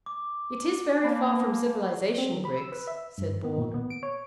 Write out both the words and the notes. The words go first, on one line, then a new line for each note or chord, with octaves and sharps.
"It is very far from civilisation, Griggs," said Bourne.
D6
A#3 G#5 A5 B5
C4
F#3
B5
E6
B4
E5
G2
B3
A#2
B3
D7
C#5